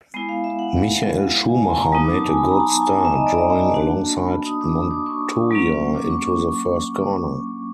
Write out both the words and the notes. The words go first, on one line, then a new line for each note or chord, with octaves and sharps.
Michael Schumacher made a good start, drawing alongside Montoya into the first corner.
G#3 B3 E4
F5
E5
F#5
G#5
A5
A#5
F#3 B3 D#4 D#6
D6
A5
G#5
B5
A#5
A5
A5
G#5
E5
D#5
D5
D#5
E5
A5
A#3 D4 F#4
B5
D#6
D6
D#6
D6
C#6
F#3 A#3 C#4
D6
C#6
C#6